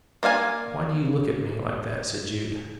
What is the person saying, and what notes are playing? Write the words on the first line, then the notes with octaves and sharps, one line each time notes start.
"Why do you look at me like that?" said Jude.
A#3 D5 F5 G#5